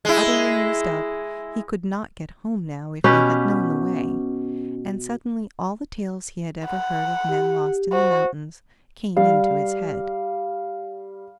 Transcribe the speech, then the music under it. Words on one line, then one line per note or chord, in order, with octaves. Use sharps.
Utterly used up, he could not get home now if he had known the way; and suddenly all the tales he had ever heard of men lost in the mountains came into his head.
G#3 E4
B2 C#4 G4 B4
F#5
G4
F#4 C5
G3 F5